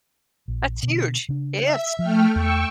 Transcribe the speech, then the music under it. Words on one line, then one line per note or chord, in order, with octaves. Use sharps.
That's huge. Yes.
A#1
B2 D3
C#3 D4
E5 E6
F3 A3 G5 F6
E2 G5 C#6 E6